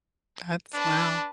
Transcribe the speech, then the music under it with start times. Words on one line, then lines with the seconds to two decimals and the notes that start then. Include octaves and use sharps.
That's wow.
0.74 D4 B4 A5